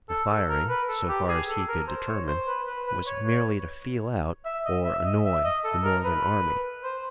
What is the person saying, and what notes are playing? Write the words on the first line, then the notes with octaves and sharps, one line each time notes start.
The firing, so far as he could determine, was merely to feel out or annoy the Northern army.
A4
A4
A#4
B4
A4
G4
G#4
A4
A#4
C5
C#5
C5
B4
B4
B4
C#5
C#5
E5
D#5
E5
D#5
E5
D#5
A4
A#4
B4
C5